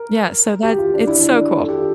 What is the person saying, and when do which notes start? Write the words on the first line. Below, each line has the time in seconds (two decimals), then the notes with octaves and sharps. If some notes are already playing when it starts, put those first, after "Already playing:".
Yeah. So that it's so cool.
Already playing: A#4
0.63 G4
0.78 F4
0.94 D4
1.07 E4
1.20 D4
1.59 A4
1.69 G4
1.78 F4